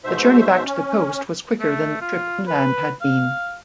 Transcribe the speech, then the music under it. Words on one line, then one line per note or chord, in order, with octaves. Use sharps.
The journey back to the coast was quicker than the trip inland had been.
G#2 B2 C5 E5
C#4
A3
F4
B4
F5